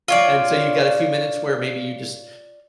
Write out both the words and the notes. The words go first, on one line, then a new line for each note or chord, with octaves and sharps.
And so, you got a few minutes where maybe you just
F4 C#5 D5